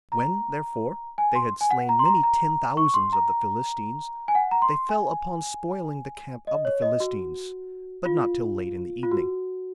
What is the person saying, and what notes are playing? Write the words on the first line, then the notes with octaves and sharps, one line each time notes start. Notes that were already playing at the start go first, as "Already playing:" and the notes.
When, therefore, they had slain many ten thousands of the Philistines, they fell upon spoiling the camp of the Philistines, but not till late in the evening.
A#5
G#5
C6
G#5
F#5
A#5
C6
A#5
A#5
C#6
C6
A#5
G#5
F#5
A#5
C6
G#5
D#5
C#5
D#5
F#4
F4
F4
F#4